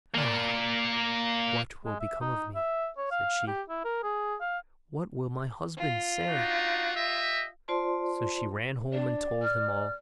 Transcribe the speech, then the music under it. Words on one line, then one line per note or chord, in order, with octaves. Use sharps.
'Ah! what will become of me?' said she; 'what will my husband say?' So she ran home and told him all.
A#3 D5
G#3
E5
D#4
E5
C#5
F5
G4
E4
A#4
G#4
F5
F4
D4 D#4 F#4
G4 D#5 E5
F4 C5 D5 A5 C6
D4 D5
F6